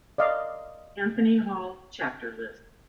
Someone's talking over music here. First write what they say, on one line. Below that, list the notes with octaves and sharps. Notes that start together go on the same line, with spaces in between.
Anthony Hall chapter list.
D5 D#5 F5